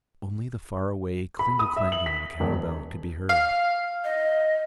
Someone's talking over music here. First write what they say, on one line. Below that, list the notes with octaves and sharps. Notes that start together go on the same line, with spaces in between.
Only the far away klingle-klangle of a cow-bell could be heard.
B5
D#6
E5
F#7
B6
E1
F5
D#5